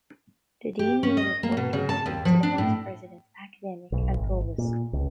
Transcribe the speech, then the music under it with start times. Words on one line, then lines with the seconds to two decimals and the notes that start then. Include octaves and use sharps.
The dean will report directly to the vice president, academic and provost.
0.79 G4
1.03 C#4
1.17 D#5
1.43 A#3
1.57 B2
1.73 C#3
1.89 A5
2.06 D#2
2.25 F3
2.43 D4
2.58 A2
3.92 B1
4.17 G#1
4.58 A#2
4.93 C#2